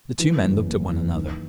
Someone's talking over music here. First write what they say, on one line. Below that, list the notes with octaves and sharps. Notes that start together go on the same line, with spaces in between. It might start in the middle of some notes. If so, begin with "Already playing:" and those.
The two men looked at one another.
E3
F#1
F#1
E3
D#3